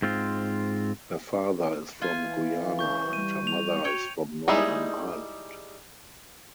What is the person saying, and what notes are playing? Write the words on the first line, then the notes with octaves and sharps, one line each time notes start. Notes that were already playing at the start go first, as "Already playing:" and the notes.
Her father is from Guyana and her mother is from Northern Ireland.
G#2 C4 F4
E3 F4 G#5
F5
C#6 G6
G3 D#7
F7
F#4 C#5 G5
G3 G#3 D#4 E4 G#4